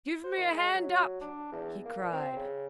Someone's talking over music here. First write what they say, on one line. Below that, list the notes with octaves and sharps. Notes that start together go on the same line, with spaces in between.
"Give me a hand up!" he cried.
C5
D#3
G#3
F#3
D4
E2
A#3
A#2
C4
C#3